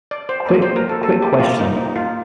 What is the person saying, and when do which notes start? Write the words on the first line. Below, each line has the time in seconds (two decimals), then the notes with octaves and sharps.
quick quick question.
0.11 D5
0.29 C5
0.48 A#3 D5
0.62 C5
0.76 A#4
0.89 A4
1.03 A#3 A4
1.22 G4
1.40 F4
1.59 D#4
1.77 D#4
1.96 F4